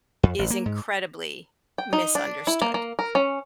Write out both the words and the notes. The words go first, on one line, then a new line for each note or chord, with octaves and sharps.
is incredibly misunderstood.
F2
A1
A#3
G#2
G5
D#4
D4
E4
A#3
A#3
A#4
C#4